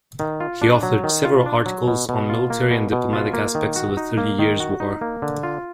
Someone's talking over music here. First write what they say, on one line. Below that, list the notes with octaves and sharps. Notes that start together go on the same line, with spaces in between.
He authored several articles on military and diplomatic aspects of the Thirty Years' War.
D#3
F4
D4
F#3
D#3
F4
D4
F#3
B2
B2
F4
A#3
B2
B2
F4
A#3
D#3
F#4
D#4
A#3
D#3
F#4
D#4
A#3
D3
F4